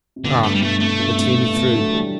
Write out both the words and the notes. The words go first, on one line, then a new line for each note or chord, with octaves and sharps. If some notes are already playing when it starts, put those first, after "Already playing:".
Ah, but hear me through.
C3
G2 B2 D3
G2 A3
G3
A2
G2 B2 A3
A2 C3 A3
C3
G2 B2
A2 C3
A2 C3
B2 D3
D3 F#3
E3 G3